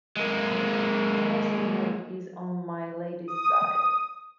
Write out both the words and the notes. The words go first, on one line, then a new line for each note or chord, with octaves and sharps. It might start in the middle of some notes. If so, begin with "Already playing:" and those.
His dressing-room is on my Lady's side.
G#3 A#3
D#6